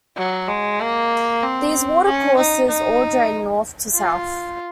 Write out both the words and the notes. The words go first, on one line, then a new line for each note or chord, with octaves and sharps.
These watercourses all drain north to south.
F#3
G#3
A#3
C4
C#4
D#4
D#4
F4